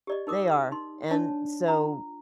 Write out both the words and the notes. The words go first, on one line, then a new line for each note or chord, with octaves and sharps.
They are, and so,
G4 D5 D#5
D#4 A#4 D6 D#6
D#4 C6
D4 C#5 D5 A5
F4 A#5